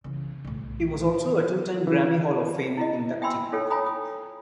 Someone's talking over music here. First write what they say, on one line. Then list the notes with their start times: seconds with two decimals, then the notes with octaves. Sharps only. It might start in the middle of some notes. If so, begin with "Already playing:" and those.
He was also a two-time Grammy Hall of Fame inductee.
0.04 C#3 E3
0.44 B1 A2
1.00 E3
1.87 E3
2.77 E4 F4 D#5
3.22 E5 G5 G#5 B5 C6 E6
3.52 D#4 F4 A4 C#5 G5
3.70 F4 C#5 G#5 A#5 B5 D#6
3.86 D#6